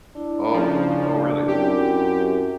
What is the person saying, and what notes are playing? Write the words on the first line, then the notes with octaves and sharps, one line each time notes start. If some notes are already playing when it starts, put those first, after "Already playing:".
Oh, y oh, really?
D4 E4
C#3 F3
F#2 C4 E4 G4 G5